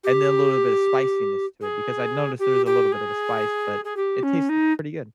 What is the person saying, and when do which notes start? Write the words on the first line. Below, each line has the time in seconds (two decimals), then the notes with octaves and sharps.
and then a little bit of spiciness to it, because I noticed there's a little bit of a spice, but it tastes pretty good.
0.04 G4
1.61 G#4
2.39 G4
2.66 G4
2.92 G#4
3.85 G#4
3.96 G4
4.23 C#4
4.49 D#4